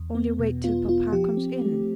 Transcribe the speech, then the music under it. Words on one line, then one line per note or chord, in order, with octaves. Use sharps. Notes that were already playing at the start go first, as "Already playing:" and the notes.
'Only wait till papa comes in.
Already playing: E2
B3
B2
B3 F4
B3 F4
F3 G4
C4
A3